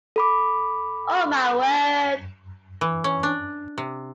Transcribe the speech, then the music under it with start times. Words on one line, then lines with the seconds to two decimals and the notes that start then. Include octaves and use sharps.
Oh my word.
0.16 A4 B5 D6
2.81 E3
3.04 C#4
3.23 D4
3.78 C3